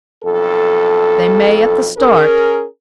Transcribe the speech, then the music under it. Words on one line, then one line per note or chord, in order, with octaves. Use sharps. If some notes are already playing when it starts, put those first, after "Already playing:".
"They may at the start."
B1 F2 A4
C#4 G#4 A#4